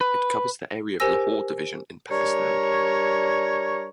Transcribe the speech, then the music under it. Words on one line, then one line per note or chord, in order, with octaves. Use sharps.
It covers the area of Lahore Division in Pakistan.
B4
G4 A#4 C5 G#5 E6 A#6
G3 D4 A#4 C#5